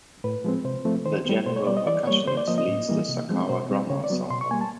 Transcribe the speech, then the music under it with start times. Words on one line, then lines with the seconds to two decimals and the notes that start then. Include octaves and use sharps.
The general percussionist leads the sakara drum ensemble.
0.24 A2 B4
0.44 F3 G#3 C4
0.65 C3 C5
0.85 F3 A3 C4
1.06 D#3 C5
1.25 G3 B3
1.46 B2 C5
1.56 C#5
1.67 G3 B3 D5
1.77 D#5
1.87 E3 D5
2.07 G3 A#3 C#5
2.27 C#3 C5
2.37 D5
2.48 F3 A#3 D#5
2.58 D#5
2.68 A2
2.89 E3 G3 A#3
3.09 C3
3.29 F3 G#3 C4
3.49 B2 C5
3.70 G3 C4
3.90 C#3 C#5
4.04 D5
4.10 F#3 B3
4.30 B2 C6
4.41 C#6
4.51 G3 A#3 G#5
4.61 A5